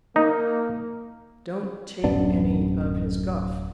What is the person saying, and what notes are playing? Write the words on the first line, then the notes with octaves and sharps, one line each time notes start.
"Don't take any of his guff!"
A#3 D#4
D1 F#2 B3 D4